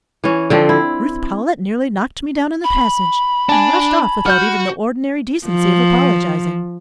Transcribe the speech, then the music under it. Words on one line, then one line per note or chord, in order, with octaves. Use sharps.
"Ruth Powlett nearly knocked me down in the passage, and rushed off without even the ordinary decency of apologising."
E3 C#4
D3 F3 C4
E4
B5
D4 G#5 A5
F#4 F6 G6
F3